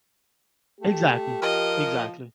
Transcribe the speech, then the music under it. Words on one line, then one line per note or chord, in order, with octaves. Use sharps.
Exactly, exactly.
A3 G4
F3 A#4 D#5